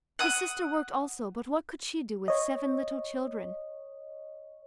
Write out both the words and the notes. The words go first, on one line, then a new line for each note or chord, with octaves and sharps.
His sister worked also but what could she do with seven little children?
F#5 D#6
C#5 D#5